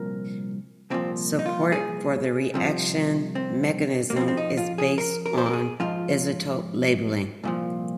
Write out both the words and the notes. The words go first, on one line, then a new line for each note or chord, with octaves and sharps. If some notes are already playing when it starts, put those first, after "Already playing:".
Support for the reaction mechanism is based on isotope labeling.
Already playing: C2 A#2 F3 A#4
C2 A#2 F3 C4
D#4
F4
G#4
C2 C3 F3
C4
A#3
F2 F3 C4
C4
D#4
F4
G#4
A#4
A#4
C5
A#4
G#4
G#2 F3 F4
C2 A#2 F3